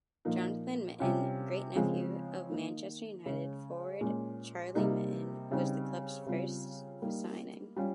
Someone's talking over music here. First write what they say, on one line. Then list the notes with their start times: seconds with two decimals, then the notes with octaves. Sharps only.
Jonathan Mitten, great-nephew of Manchester United forward Charlie Mitten, was the club's first signing.
0.25 A#2 F3 A#3 D#4
1.00 C3 G3 C#4 F4
1.75 C#3 F3 G#3 C4
2.50 D#3 A#3 D#4
3.25 C#3 G#3 C#4
4.01 A#2 G#3 C#4
4.75 C3 G3 A#3 D#4
5.51 C#3 G3 C4 D#4
6.26 C#3 G3 C4 F4
7.02 G3 A#3 D#4
7.76 G3 C#4 F4